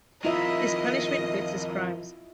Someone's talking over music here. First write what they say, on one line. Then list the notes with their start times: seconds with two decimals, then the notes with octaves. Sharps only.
His punishment fits his crimes.
0.25 F2 D#3 E4 F4 D#5 E5